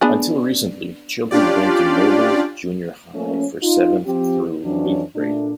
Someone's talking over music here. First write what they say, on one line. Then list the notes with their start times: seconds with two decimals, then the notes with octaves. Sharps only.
Until recently, children went to Noble Junior High for seventh through eighth grade.
0.01 B3 D4 G#4
1.31 C#4 D4 F4 G4 D5
3.14 F3 A3 A#3 C#4
3.62 D#4 F4
4.05 F3 C4 G4
4.63 F2 E3 F#3 C#4 D4
5.15 A#2 A3 D4